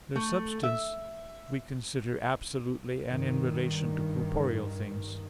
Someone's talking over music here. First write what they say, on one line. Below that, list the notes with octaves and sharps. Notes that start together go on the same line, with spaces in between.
Their substance we consider absolutely and in relation to corporeal things.
A3
E5
G2 D#3